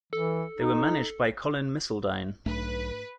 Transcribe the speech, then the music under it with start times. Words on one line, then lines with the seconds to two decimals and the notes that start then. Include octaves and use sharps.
They were managed by Colin Misseldine.
0.13 E3 A4
0.59 D#4
2.46 B1 G#2 A3 D4 B4